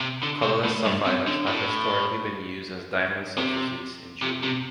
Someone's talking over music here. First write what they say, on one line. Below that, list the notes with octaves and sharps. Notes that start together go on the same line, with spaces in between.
Colorless sapphires have historically been used as diamond substitutes in jewelry.
C3
D3
C3
A2
G2
C3
D3
A2
C3
C3
C3